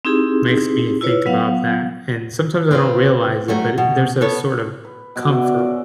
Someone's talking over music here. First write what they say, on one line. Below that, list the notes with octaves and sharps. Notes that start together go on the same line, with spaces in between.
makes me think about that, and sometimes I don't realize it, but it, there's a sort of comfort
C4 D#4 E4 G4 G#4
E4 F4 B4 C#5
F#3 B3 F5 F#5
C4 F4 B4
F#3 G3 A3
B2
B3 A4 C#5
B4
B2
F#4 D5 E5 F#5
C#3